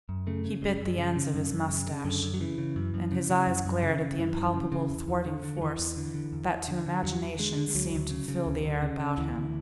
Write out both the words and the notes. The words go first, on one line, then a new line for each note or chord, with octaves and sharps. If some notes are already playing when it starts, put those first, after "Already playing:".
He bit the ends of his moustache, and his eyes glared at the impalpable thwarting force that to imagination seemed to fill the air about him.
F#2
C#3 A3
C#3
F#2 G#3
F#2
C#3
C#3
F#2
F#2
C#3
C#3
F#2 D3
F#2
F#3
C#3 E3
C#3
F#2
F#2
C#3
C#3
F#2
F#2
C#3
C#3
F#2 E3
F#2
C#3
C#3
E2
E2
D3
D3
F#3
E2 E3
E2
D3
D3
E2
E2
D3
D3
E2 F#3
E2
D3 G#3
D3
G#3
D2 F#3
D2
C#3
C#3
D2
D2
C#3
C#3
D2 E3
D2